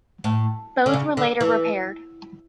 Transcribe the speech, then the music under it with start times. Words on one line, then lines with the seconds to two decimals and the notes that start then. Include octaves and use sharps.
Both were later repaired.
0.24 A2
0.86 D3
0.94 C#3
1.17 D3
1.41 E3